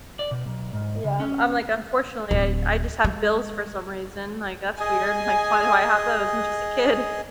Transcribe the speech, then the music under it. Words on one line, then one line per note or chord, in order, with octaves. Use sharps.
Yeah. I'm I'm like, unfortunately, I I just have bills for some reason, like, that's weird. Like, "Why do I have those? I'm just a kid."
D5
B2
B1
G#2
C#3
C#4
D1
G#3
G#4 D#5 G#5